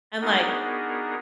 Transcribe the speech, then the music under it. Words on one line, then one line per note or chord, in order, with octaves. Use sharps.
And like
B3 D4 D#4 F#4 G#4 A#4